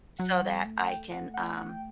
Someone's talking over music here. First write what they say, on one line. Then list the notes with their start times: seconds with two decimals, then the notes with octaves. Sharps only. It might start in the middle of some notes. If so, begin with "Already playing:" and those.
so that I can, um
0.19 F#3 F#5
0.42 G3
0.65 A3
0.79 F#5
0.88 G5
1.11 F#5
1.34 F#5
1.57 F#5
1.69 G5